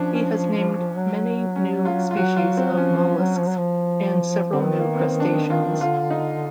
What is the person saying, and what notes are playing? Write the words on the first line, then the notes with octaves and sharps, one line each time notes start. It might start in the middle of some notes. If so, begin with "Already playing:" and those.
He has named many new species of molluscs and several new crustaceans.
Already playing: F3 C#4 D4
C#4
F#3
C#4
F4
F4
F#3 F#4
F4
C4
F#3
F3 C#4
F3
F#3
F3
F#3
F3
D3 C4
D#3 B3
A#3
B3
C4
D4
F4
D3 F4
D#4